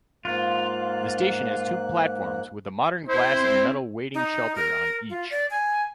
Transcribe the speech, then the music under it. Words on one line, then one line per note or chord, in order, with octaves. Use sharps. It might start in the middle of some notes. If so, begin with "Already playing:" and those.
The station has two platforms with a modern glass-and-metal waiting shelter on each.
G#2 A#3 F4 F#6
C4 E4 C5
D#4
A#4
F4
D5
G#5